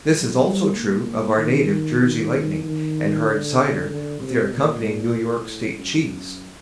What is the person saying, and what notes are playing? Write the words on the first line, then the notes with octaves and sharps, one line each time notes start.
This is also true of our native Jersey Lightning and hard cider with their accompanying New York State cheese.
F#3
G3
A#3
D#3
D#3
D#3
D3
D3
C3
A#2
A2
F#2